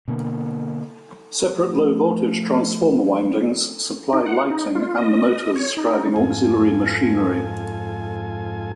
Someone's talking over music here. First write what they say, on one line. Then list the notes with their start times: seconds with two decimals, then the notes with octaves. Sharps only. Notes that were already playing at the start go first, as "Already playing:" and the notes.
Separate low-voltage transformer windings supply lighting and the motors driving auxiliary machinery.
0.08 B2 D3 A#3
1.52 F3 A3
4.13 D#4
4.26 F#5
4.50 D#4
4.75 F4
4.97 D#5
5.55 C#5
5.77 D#4
6.16 F2 G#2 F4 A4 G#5